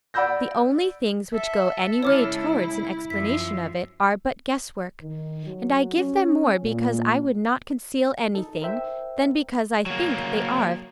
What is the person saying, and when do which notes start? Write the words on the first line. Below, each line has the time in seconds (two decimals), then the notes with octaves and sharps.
The only things which go any way towards an explanation of it are but guesswork, and I give them more because I would not conceal anything, than because I think they are of any worth.
0.14 D5 F#5 B5 E6 G6 A#6
1.34 A4 E5
2.03 C#3 G#3 E4 C#5 D6 F6
3.10 F#2 F3 E5 B6
5.02 D#3
5.47 F#3
5.97 C#4
6.64 A#2
8.35 D#4 A4
8.62 A#4 C5 E5 G5
9.86 F#3 A#3